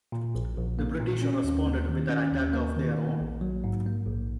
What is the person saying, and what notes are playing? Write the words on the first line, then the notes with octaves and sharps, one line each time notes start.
The British responded with an attack of their own.
A#2
A#1
A#1
A#3
A#2
C#4
D#2
A#3
D#3
C#4
D#2
A#3
D#3
A#3
A#1
F#3
G#2
A#3
A#1